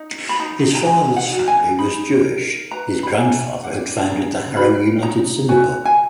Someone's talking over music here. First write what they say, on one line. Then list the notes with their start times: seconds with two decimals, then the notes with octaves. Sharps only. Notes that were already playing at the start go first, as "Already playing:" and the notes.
His father's family was Jewish; his grandfather had founded the Harrow United Synagogue.
Already playing: D#4
0.29 B5
0.40 D#4 A#5
0.75 A#5
0.86 D#4 G#5
1.16 F#5
1.32 F#4
1.48 G#5
1.78 D#4 B5
2.25 A#4
2.71 B4 A#5
3.03 B5
3.10 A#5
3.18 D4 G#5
3.63 D4 F#5
4.10 G#4 A#5
4.56 F#4 B5
5.02 D#4 A#5
5.48 F#4 G#5
5.85 G#5